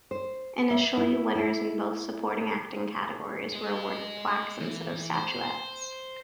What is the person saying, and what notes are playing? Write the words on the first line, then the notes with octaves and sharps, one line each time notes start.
Initially, winners in both supporting acting categories were awarded plaques instead of statuettes.
C5
E5
E4
E4
G#4 D#5
E3
C5